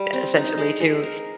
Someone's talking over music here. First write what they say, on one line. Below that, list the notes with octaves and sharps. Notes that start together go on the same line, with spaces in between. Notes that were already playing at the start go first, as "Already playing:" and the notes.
essentially, to
Already playing: G3
C4
D#4
G#3
G#3
A#4